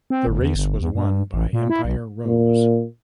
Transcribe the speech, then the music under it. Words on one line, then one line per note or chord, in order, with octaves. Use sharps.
The race was won by Empire Rose.
C4
G1
E2
G1
E2
G2
A1
A#2
E4
B1
A#2